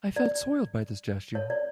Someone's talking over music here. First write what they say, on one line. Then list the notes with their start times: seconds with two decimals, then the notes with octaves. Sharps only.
I felt soiled by this gesture.
0.16 D5
1.35 C#5
1.50 D5